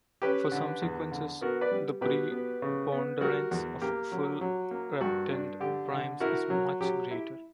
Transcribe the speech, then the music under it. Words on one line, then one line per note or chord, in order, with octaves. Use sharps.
For some sequences, the preponderance of full reptend primes is much greater.
C#4 G4 B4
D3
E2
D3
B3 F#4 A#4
B4 D5
G3
B2 G4 B4
B3
C#3
B3
G3 F#4 A#4
E2
A#3 G4
F#3
F#3
A#3
G2 F#4
D4
D3 G4
D3
E4 F#4 A#4
F#3
F#3 G4
E4